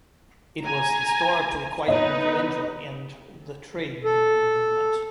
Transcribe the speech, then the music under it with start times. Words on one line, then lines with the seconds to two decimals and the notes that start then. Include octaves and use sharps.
It was historically quite influential in the trade union movement.
0.63 G#5 A#5
1.88 B3 D#4 B4 C#5 D#5
4.05 A4